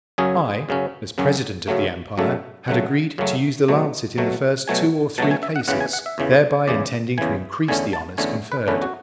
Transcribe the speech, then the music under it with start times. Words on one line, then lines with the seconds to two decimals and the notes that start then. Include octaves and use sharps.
I, as president of the empire, had agreed to use the lancet in the first two or three cases, thereby intending to increase the honours conferred.
0.18 F#2 C#3 F#3 C#4 G#4
0.69 F#2 C#3 F#3 C#4
1.18 F#2 C#3 F#3 C#4
1.68 F#2 C#3 F#3 A3
2.18 F#2 C#3 F#3 A3 A4
2.68 F#2 C#3 F#3 A3 F#5
3.18 F#2 C#3 F#3 A3
3.68 B2 F#3 A3
4.18 B2 F#3 A3
4.68 B2 F#3 A3 G#5
5.18 B2 F#3 A3 A5
5.31 G#5
5.43 E5
5.56 F#5
5.68 E2 C#3 E3 F#5
5.81 G#5
5.93 F#5
6.06 E5
6.18 E2 C#3 E3
6.68 E2 C#3 E3 D5
7.18 E2 C#3 E3 G#5
7.68 E2 D3 A3 C#4 G#5
7.93 A5
8.18 E2 D3 A3 C#4 G#5
8.52 B4
8.68 E2 D3 A3 C#4 B4
8.82 F#4